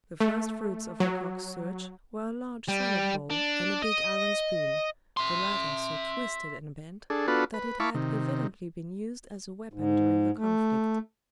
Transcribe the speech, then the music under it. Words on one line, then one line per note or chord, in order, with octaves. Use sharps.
The first fruits of Lecoq's search were a large salad-bowl and a big iron spoon, the latter so twisted and bent that it had evidently been used as a weapon during the conflict.
A3
F#3
G3
D4
D#5
E5 C6
D4 G#4 A4
B3 D4 F4 F#4 A4 B4
B4
E4 F5 A5 B5 C#6 D6
C3 D#3
G#2
A3